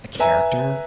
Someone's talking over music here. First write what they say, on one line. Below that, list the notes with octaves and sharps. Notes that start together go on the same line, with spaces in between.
the character
B4 E5 G#5 A#5